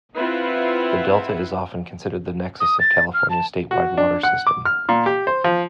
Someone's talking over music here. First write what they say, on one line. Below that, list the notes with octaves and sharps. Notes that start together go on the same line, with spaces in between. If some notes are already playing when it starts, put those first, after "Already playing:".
The Delta is often considered the nexus of California's statewide water system.
C4 E4 F4 B4 E5 F#5
D#6
A6
F6
A5
F#4
D4
F#5
D6
F6
A#2
G4
C5
F3